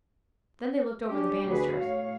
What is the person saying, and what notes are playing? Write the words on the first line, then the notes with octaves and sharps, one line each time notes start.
Then they looked over the banisters.
C#4 D4 G4
D2 F#4 G#4 B4
A2 C#5 F5